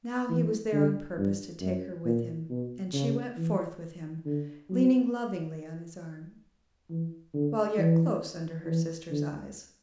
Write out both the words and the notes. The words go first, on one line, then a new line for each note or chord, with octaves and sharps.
Now he was there on purpose to take her with him, and she went forth with him, leaning lovingly on his arm, while yet close under her sister's eyes.
E3
D3
G2
F#2
A#2
B2
C#3
E3
D3
F#3
E3
D3
E3
E3
D3